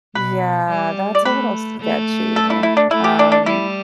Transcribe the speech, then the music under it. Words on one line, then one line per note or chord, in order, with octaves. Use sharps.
Yeah, that's a little sketchy. Um,
B2 B4
G3
D5
A3 B4
A3
A4
E4
E4
D4
A3 E4
G4
D4
D4
G3 E4